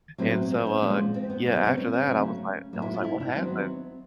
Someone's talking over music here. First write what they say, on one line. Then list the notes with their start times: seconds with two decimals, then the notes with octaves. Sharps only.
and so, uh, yeah, after that, I was like I was like, "What happened?"
0.18 A2 F#3 B3 C4
0.51 C4
0.67 C#4
0.82 A#2 F3 G#3 B3
1.14 C4
1.30 B3
1.46 B2 F#3 B3 C4
1.56 B3
1.67 C4
1.78 C#4
1.94 C4
2.09 C#3 F#3 A3 C#4
2.73 A2 F#3 A#3
2.82 E4
2.94 F4
3.04 E4
3.20 D4
3.36 D#3 F#3 B3 C4